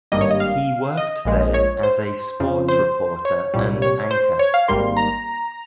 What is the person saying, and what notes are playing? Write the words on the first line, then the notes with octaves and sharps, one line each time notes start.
He worked there as a sports reporter and anchor.
G#1 G2 G3 A#3 D#5
C#5
D#5
F5
D#5
A#1 A#2 G#3
C#5
C5
F2 C#3 F3
C5
C#5
C2 A#2 G3
C#5
C5
C#5
F5
G#1 G#2 G3 A#3 C6
A#5